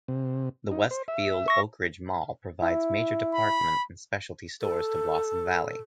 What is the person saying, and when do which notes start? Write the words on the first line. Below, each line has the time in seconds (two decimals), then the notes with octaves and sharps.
The Westfield Oakridge Mall provides major department and specialty stores to Blossom Valley.
0.08 C3
0.71 D#4
0.91 C5
1.08 E5
1.48 C#6 A#6
2.62 E4
3.34 B5
4.61 A4